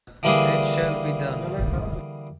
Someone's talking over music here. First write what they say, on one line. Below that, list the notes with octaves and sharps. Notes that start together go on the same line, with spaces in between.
It shall be done!
D3 E3 G3 A#3 D4 G#4